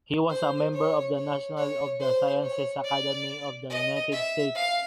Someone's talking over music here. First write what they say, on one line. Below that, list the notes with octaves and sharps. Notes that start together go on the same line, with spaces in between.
He was a member of the National and of the Sciences Academy of the United-States.
C5
C#5
C#5
C#5
C5
C#5
D5
D#5
E5
F5